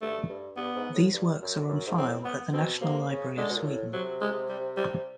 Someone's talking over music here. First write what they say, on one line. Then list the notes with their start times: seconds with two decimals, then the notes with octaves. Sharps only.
These works are on file at the National Library of Sweden.
0.02 G2 A3
0.30 G2
0.57 G2 B3
0.76 G#2
0.95 A2
1.14 G2
1.42 F#2
1.69 F#2
1.87 G#2
1.98 A2 C4
2.25 B3
2.53 B2 C4
2.81 C3 A#3
3.09 C#3
3.37 D3 G#3
3.50 B2
3.57 A#2
3.65 A2
3.93 C3 F#3
4.21 G#3
4.49 G3
4.77 G3